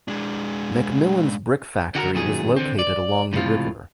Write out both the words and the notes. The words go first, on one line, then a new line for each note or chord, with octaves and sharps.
McMillan's brick factory was located along the river.
G#3 D4
D3 F#4 G#4 A#4
F#2 A#2 D#3 F#3 G#4
D3 C4
D5
C#2 A2 C3 F3 F4